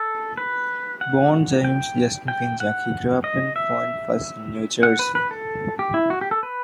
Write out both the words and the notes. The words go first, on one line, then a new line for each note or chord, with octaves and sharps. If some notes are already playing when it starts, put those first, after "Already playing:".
Born James Justin Pinchak, he grew up in Point Pleasant, New Jersey.
Already playing: A4
B4
F#5
G5
G5
F#5
D#5
E5
F#5
B4
B4
A4
G4
E4
F#4
G4
A4
B4